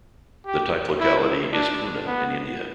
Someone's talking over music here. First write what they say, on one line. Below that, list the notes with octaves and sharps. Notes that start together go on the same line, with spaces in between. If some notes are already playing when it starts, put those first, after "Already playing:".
The type locality is Pune in India.
G4
E4
D4
B3